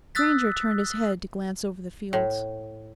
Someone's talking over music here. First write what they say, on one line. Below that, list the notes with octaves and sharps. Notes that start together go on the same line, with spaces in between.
The stranger turned his head to glance over the fields.
D#6 E6 F#6 A6 B6
A2